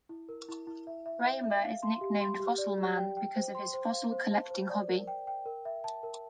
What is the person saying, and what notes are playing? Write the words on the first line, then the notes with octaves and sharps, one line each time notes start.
Raymer is nicknamed "Fossilman" because of his fossil collecting hobby.
E4
A#4
E4
E4
E5
E5
E5
E5
F5
C6
G4
C6
G4
D5
G4
G5
G5
C5
C6
C5
F5
C5
A5
C5
D5
A#4
G5
G5
A#4
E5
A5
A#4